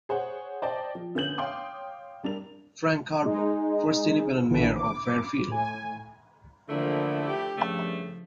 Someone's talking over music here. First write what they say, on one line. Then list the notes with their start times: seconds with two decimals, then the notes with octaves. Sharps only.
Frank Carbone, first independent mayor of Fairfield.
0.09 G#4 C5 C#5 F#5
0.62 C5 D5 D#5 G5 A5
0.95 F3
1.15 D3 B3 C#4 G6 F#7
1.38 C#5 F5 G5 C6 D6 D#6
2.24 G3 D4 A#4 F7
3.22 G#3 D#4
4.50 A#1 D3 E3
4.76 D6
5.48 A2 G#5
6.69 D3 E3 F3 A3 A#3 E4
7.25 G4
7.57 G2 C#3 F3 A3